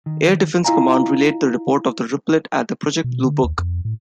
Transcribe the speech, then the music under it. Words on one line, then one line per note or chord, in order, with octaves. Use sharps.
Air Defense Command relayed the report to Ruppelt at Project Blue Book.
D#3
E4 F4 D#5 F5 G#5 A#5
B2
D3
D#2
F2
A2